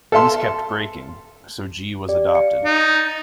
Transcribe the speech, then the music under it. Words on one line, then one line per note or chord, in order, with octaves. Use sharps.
These kept breaking, so G was adopted.
A4 E5 F5 A5 C6
G4 D5
F5 C#7
D#4
A6